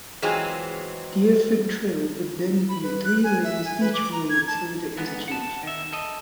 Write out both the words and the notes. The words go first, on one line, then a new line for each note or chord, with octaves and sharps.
Deerfoot Trail would then be three lanes each way through the interchange.
E3 F#3 G#3 C4 F4 G#4
B5
B4
F#6
G#5
E5
G#5
B4
D6
A#5
G#6
A5
G#2 B3
F#5 A5
D#3 E5
A4 D#5